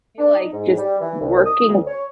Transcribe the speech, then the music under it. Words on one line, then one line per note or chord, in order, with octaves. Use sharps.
I feel like just working
D4
D#4
G#2
G3
E3
C2
D#6
D2
C#5